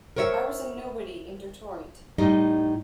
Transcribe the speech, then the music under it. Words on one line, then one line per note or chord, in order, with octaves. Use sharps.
I was a nobody in Detroit.
A#4 C5 C#5 D#5 E5
A2 G3 D#4 D#5